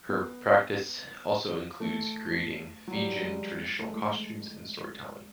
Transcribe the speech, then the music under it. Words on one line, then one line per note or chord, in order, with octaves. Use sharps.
Her practice also includes creating Fijian traditional costumes and storytelling.
B3
A3
F#3
G3
G3
G#3
A3
G#3
A3